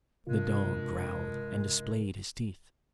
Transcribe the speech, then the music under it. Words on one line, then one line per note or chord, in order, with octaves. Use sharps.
The dog growled, and displayed his teeth.
G2 C3 G#3 F4 A#4